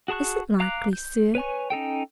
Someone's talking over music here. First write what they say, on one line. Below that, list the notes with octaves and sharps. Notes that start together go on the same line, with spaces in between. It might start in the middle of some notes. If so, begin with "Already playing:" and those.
Is it likely, sir?
F#4 G#4 A5 C#6 F#6
F5 A#5 D6 F#6
G6
B4 C#5 G#5 C#6
C#4 D#4 A4 G5